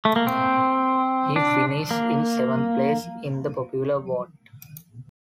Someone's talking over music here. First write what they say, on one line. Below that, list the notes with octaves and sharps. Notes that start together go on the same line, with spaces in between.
He finished in seventh place in the popular vote.
A3
A#3
C4
D4
A#3